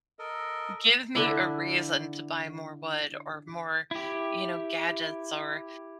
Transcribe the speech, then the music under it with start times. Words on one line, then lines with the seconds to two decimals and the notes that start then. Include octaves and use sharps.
give me a reason to buy more wood or more, you know, gadgets or,
0.19 A4 A#4 D#5
1.15 D3 D4 E4
3.91 E4 G4